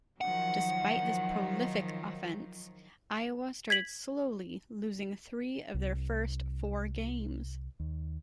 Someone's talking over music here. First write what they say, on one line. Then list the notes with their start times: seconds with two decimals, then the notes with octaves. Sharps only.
Despite this prolific offense, Iowa started slowly, losing three of their first four games.
0.21 D#3 F3 F#3 F#5
3.70 G#6 B6 F#7
5.74 C2
7.80 D#2